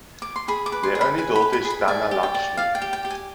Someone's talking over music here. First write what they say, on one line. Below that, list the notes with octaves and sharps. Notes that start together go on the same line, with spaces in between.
Their only daughter is Dhanalakshmi.
D6
C6
G#4 B5
D6
B4
C6
G#4
B5
B4 G#5
B5
B4
B5
G#4
B5
D5 G#5
G4
G5
D5
D5 F5
G5
G4
G5
G4
G#5